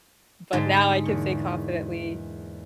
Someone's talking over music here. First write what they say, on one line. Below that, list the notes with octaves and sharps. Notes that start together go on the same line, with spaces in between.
but now I can say confidently
G#2 D3 A5
E2 A#3 C#6